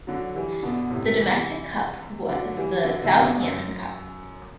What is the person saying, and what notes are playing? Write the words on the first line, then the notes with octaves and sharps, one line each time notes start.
The domestic cup was the South Yemen Cup.
D3 F#3
E3 G3
B2 D3
A2 C3
C3 E3
D3 F#3
E3 G3
D3 F#3
C3 E3
B2 D3
F#2